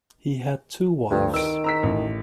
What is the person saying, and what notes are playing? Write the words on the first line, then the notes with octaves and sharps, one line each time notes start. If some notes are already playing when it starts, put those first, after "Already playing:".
He had two wives.
D2 G2 F3
D#3 E6 D7
A#5 E6 B6
A1